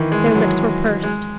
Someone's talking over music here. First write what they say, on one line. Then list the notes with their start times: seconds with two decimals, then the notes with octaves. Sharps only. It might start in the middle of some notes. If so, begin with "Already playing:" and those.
Their lips were pursed.
Already playing: D#3 E3
0.12 G#3
0.26 E3
0.35 F#3
1.03 G#3